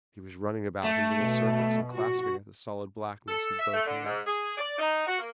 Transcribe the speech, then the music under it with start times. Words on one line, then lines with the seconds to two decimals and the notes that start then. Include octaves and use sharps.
He was running about in little circles and clasping at the solid blackness with both hands.
0.84 A3
1.19 B2
1.94 F#4
3.29 A4
3.59 E5
3.74 A3
3.86 D3
4.05 G#2
4.25 G#4
4.58 D5
4.79 D#4
5.06 F#4
5.19 A#3